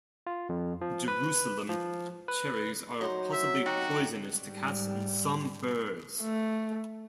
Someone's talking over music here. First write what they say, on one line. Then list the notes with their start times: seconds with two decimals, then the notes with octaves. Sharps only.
Jerusalem cherries are possibly poisonous to cats and some birds.
0.27 F4
0.49 F2
0.81 F3
1.08 B4
1.69 F3
2.28 B4
3.01 F#3 D#4 C5
3.33 E5
3.66 D#4 F#4 G4 F#5
4.27 G#2 G3
6.21 A3